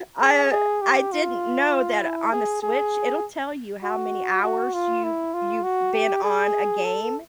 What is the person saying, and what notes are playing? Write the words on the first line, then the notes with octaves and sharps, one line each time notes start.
I I didn't know that on the Switch, it'll tell you how many hours you've you've been on a game.
G#4
G#4
G4
F4
E4
G#4
G#4
F#4
F#4
F4
E4
F4
F#4
G4
G#4
A4